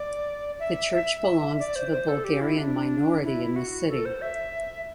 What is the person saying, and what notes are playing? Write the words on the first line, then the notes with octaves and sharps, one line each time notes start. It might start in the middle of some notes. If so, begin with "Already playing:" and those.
The church belongs to the Bulgarian minority in the city.
Already playing: D5
E5
E5
D5
C5
C5
A4
G4
E4
D4
E4
F#4
A4
C5
E5